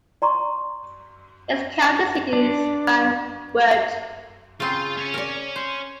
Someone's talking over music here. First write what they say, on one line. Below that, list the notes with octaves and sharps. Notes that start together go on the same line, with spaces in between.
Its county seat is Van Wert.
D5 A#5 C6 C#6
D4
C#3 C4 F4
C#4 C#5
A#4 D5
C5